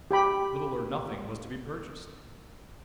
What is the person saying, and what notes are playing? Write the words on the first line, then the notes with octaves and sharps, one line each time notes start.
Little or nothing was to be purchased.
G4 G5 B5